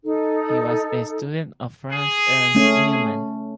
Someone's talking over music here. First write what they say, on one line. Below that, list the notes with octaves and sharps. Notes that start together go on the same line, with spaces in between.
He was a student of Franz Ernst Neumann.
D#4 A4
G#4
A3 C#4